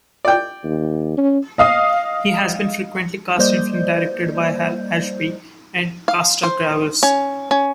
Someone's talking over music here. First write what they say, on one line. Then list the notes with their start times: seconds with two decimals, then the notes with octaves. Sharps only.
He has been frequently cast in films directed by Hal Ashby and Costa-Gavras.
0.25 D5 G5
0.64 D#2
1.17 C#4
1.58 D#5 F5 D#6
3.38 G3 A#3 C5 D5 D#5 G6
6.08 F5
6.43 C5
7.03 C#4
7.51 C#4